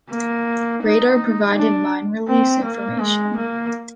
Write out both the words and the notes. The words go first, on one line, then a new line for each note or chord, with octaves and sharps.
Radar provided mine release information.
A#3
D#4
D4
C4
A#3
G#3
A#3